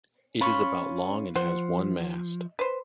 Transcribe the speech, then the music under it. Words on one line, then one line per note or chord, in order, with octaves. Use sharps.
It is about long and has one mast.
C#4 F4 B5 C#6
F3 C5 F#5
B4 C5